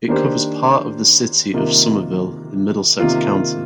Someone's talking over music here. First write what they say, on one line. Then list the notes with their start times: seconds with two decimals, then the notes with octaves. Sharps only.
It covers part of the city of Somerville in Middlesex County.
0.08 D#3 A#3 D4 G4 C5
1.54 C3 D#3 A#3 F4
2.99 C3 D#3 A#3 F4